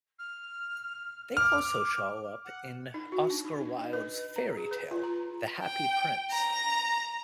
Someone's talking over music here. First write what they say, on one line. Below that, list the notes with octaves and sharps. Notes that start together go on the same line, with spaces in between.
They also show up in Oscar Wilde's fairy tale The Happy Prince.
F6
D6 F6
F#5
D#4
F#4
D4
D#4
D#4
D#5
B4
A#5
G#4
B4
F4
A#5
G5
A#5